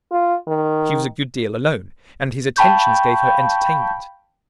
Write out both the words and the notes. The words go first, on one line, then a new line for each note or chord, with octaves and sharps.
She was a good deal alone, and his attentions gave her entertainment.
F4
D#3
F5 G5 A5 B5 C#6 G6